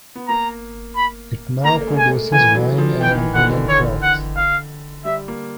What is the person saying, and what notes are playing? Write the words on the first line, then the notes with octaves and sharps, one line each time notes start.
It now produces wine and woollen cloth.
B3
A#3 A#5
B5
A#3 A#5
A3
G#3
G#5
A3
E3 G#5
F#3
F3
E3 G5
D#3
E3
D3 F#5
D3
D3 C#5
F#5
F5
G3 E5
A#3